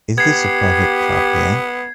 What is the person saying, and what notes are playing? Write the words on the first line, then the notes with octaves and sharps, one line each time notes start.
Is this a private club here?
B3 G4 G#6 C7